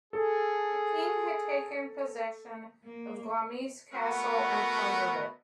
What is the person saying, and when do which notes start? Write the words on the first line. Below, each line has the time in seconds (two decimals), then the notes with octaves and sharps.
The king had taken possession of Glamis Castle and plundered it.
0.13 G#4 A4
2.85 A#3
3.93 A3 B3 F#4 A#4